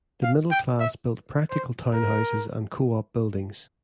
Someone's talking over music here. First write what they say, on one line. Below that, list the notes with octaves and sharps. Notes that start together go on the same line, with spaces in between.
The middle class built practical townhouses and coop buildings.
F5
G5
E5
C5
A#4